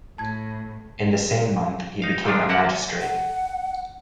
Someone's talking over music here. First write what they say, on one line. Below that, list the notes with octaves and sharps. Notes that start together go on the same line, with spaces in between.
In the same month he became a magistrate.
A2 A5 G#6
D#4 F5
A#2 D3 D#3 F3 D4 F4
D3 A#3 F#4 G4 F#5 A5
F#5